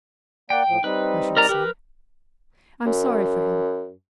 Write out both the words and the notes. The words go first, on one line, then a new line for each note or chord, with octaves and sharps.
I should say. I am sorry for him.
A#3 D5 F#5 G5
A2 F3
G3 C4 D#4 B4
A#4 D5 A#5
G4 A#4 B4
F#2